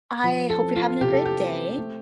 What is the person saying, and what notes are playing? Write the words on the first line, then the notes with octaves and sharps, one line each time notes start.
I hope you're having a great day.
F3
A4
C4
F4
C3 G4
A4
G4
C4
A3